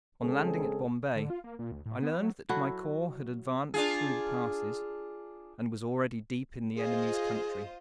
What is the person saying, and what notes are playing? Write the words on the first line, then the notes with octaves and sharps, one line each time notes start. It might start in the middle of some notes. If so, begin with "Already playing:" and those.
On landing at Bombay, I learned that my corps had advanced through the passes, and was already deep in the enemy's country.
C#3 G#3 C4 G#4 A4
D3
F4
A#3
A#2
D2
A2
B3
F#3
F#3 E4 F#4 A4
D4 F4 G#4
F4 G#4 C5 D#5